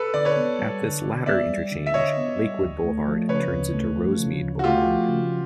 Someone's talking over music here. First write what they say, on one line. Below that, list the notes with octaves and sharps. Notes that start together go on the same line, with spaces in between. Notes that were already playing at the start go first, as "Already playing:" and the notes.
At this latter interchange, Lakewood Boulevard turns into Rosemead Boulevard.
Already playing: A4 B4
D3 D5
B4 C#5
B3
G3
D3
D3
B3 D5 E5
G3
D3
E5
D3 C#5 D#5
B3
G3
D2
A3
F3
C#3 B4 C#5
D2
A3
F3
C#3
D2
F#4
A3 F4 G4
F3
C#3